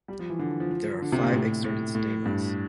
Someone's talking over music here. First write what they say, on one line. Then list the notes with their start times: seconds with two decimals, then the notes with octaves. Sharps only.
There are five exserted stamens.
0.08 G3
0.19 F3
0.30 E3
0.39 D3
0.60 F3
0.71 F3
1.02 D3
1.12 C3
1.22 A#2
1.33 A2
1.64 A2
1.95 A2
2.25 G2